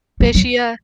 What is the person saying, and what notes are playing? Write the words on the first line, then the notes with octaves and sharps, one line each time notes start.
Did she uh
F#3
F#3